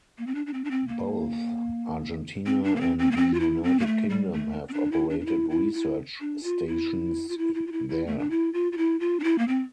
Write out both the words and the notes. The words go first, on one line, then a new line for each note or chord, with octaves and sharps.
Both Argentina and the United Kingdom have operated research stations there.
A#3
C4
D4
D4
C4
D4
C4
A#3
C4
D4
A#3
C4
C4
A#3
C4
F4
E4
C4
A#3
A3
G3
A3
C4
D4
E4
D4
D4
E4
E4
E4
D4
F4
E4
F4
E4
E4
F4
E4
E4
A3
D4
E4
F4
F4
E4
F4
D4
E4
A#3
C4